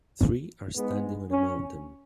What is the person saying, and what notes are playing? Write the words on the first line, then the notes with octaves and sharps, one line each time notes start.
Three are standing on a mountain.
G#2 G#3 B3
C#4